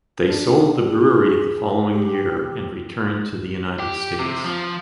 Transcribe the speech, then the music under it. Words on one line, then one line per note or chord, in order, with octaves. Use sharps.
They sold the brewery the following year and returned to the United States.
D4
G#4
G4
G4
C3
F3